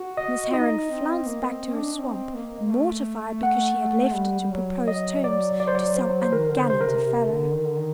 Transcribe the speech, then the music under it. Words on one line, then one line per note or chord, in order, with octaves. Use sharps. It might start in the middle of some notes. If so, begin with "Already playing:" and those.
Miss Heron flounced back to her swamp, mortified because she had left it to propose terms to so ungallant a fellow.
Already playing: F#4
D#5
D#4 D#5
C4
A#3
A#3
C4
C4
D4
D4
C4
A#3
A3
F#5
G3
G3
F#3
D#5
D5
D5
C5
D5
C5
C5
D#3 A#4
D3
C5
C3 C5
D3 A#4
C3
C3
D3
D#3
D3
D#3